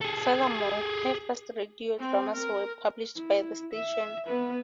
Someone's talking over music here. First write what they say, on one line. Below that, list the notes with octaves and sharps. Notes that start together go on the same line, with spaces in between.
Furthermore, her first radio dramas were published by the station.
G#4 A4
C4
A#4
E4
E5
B3 B4